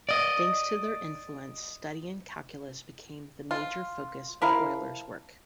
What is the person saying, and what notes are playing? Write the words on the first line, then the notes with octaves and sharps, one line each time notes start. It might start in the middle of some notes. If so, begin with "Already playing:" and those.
Thanks to their influence, studying calculus became the major focus of Euler's work.
D5 D#5
F4
F3 E4 A#4 F5